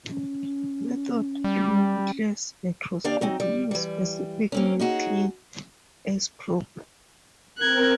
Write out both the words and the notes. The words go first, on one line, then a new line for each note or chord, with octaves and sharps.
Methods in nuclear spectroscopy use specific nuclei as probe.
C#4
G3
D#2 D4 G4 D5 F5
F#3 C4 D#4
G3
E3 G3
A#3 C4 C#4
C#4 D#4 F#4 G#4
C4 A#4 F#6 G#6